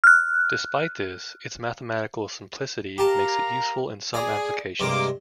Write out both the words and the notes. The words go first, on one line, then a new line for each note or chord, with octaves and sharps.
Despite this, its mathematical simplicity makes it useful in some applications.
F6 F#6
G4 A#4 F5 A5 A#5
G#4 D5 A#5
G2 C3 G#3 A#3 D6